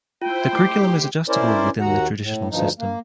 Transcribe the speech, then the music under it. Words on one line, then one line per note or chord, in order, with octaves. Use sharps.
The curriculum is adjustable within the traditional system.
E4 F4 C5 G5
A3 G4 D6 C7
C#4 E4 A#4 C5 D5
D#2 F#4 F#5 A#5
A2
D2 G2 F3 D#4
A#3